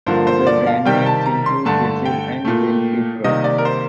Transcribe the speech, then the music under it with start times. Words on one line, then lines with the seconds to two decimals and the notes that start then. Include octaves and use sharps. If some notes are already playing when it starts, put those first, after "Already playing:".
Other brand names include Jezil and Gen-Fibro.
0.06 G2 D3 F3 A#3 C5
0.27 C5
0.47 D5
0.67 F5
0.86 C3 D#3 G3 G5
1.06 A5
1.26 A#5
1.46 C6
1.65 G2 D3 A3 A5
2.06 G5
2.45 A#2 A3
3.24 C3 D#3 G3 A#3 D#5
3.44 D5
3.58 A#4
3.65 C5